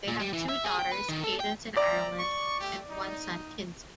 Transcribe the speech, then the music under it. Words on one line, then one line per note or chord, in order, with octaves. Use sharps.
They have two daughters, Cadence and Ireland and one son Kinzy.
A#2
G3
E3
E5
G#4
G5
B4
D#3
A4
G5
D5 E5 G5 A#5
C#6
A3 G4
D#4